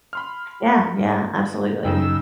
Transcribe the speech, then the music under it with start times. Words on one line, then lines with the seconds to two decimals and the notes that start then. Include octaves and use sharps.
Yeah, yeah, absolutely.
0.13 B5 C6 F6
1.85 F#2 C#3 D#4 G5 E6